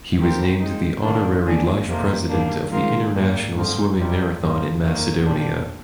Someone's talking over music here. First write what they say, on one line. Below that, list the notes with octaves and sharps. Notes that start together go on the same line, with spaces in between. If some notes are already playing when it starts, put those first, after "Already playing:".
He was named the Honorary Life President of the International Swimming Marathon in Macedonia.
F3 C4 G4 A#4
F3 G#3 C4 D#4
G#2 D#3 A#3 D4
D#3 A#3 D4 G#4
F2 C3 F3 A#3
G2 D#3 G3 A#3 D4
D#3 G#3 C4 F4 A#4
G#2 G3 A#3
G2 D3 F3 C4
F2 C3 G3
G2 F3 A#3
F2 D#3 A#3
A#2 G3 D4